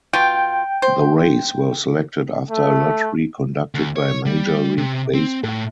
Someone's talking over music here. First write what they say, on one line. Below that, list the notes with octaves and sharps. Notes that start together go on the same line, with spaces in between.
The Rays were selected after a lottery conducted by Major League Baseball.
B2 F4 G5
C5
A3
D2
C#5
G3
C3
C4
A2